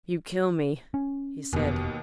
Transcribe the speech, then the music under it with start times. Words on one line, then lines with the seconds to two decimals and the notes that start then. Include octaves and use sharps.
"You kill me!" he said.
0.94 C#4
1.53 F1 D#2 B2